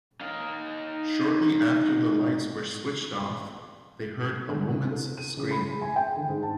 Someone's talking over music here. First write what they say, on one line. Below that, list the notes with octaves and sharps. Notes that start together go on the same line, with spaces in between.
Shortly after the lights were switched off, they heard a woman's scream.
D#4 F5
D3
E4
A4
D#7
C#3
B5
G#4
G#5
G5
D3
G#2
A5